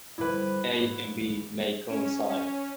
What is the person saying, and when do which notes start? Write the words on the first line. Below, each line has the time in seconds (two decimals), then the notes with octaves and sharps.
"A" and "B" may coincide.
0.18 G2 D3 F3 E4 B4
0.80 G#2 E3 A#3
1.90 C#4
2.29 C#4